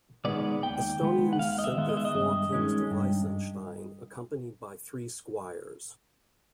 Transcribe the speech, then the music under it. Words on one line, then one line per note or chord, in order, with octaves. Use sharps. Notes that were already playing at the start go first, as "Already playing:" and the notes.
Estonians sent their four kings to Weissenstein accompanied by three squires.
D#3 G#3 B3 D5
D#2 G5
D#3 G#3 B3
F#5
D#2 F5
D#5
E5
D#3 G#3 B3
D#5
E5
D#5
G2
D#3 G#3 C#4
G2